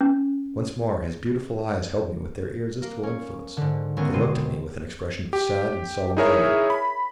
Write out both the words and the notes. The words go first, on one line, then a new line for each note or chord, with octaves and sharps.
Once more, his beautiful eyes held me with their irresistible influence; they looked at me with an expression of sad and solemn warning.
C#4
A#3
C#4
G#2 D3
C#2 D#3 B3 C#4 G#4 A#6
B2 G#3 C4 D#7
G4
D#4 E4 G#4 A#4 C#5 E5
B5